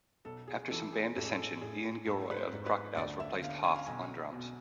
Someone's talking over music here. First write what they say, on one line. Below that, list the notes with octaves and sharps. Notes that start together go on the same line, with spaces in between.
After some band dissension, Ian Gilroy of the Crocodiles replaced Hough on drums.
B1 A4
G#4
E3 A4
G#4
A1 A4
G#4
A4
A2 G#4
G#2 A4
B4
C5
G#2
B4
D2 D5
E5
D3 F5
G#5
F5
B1 G#5
B2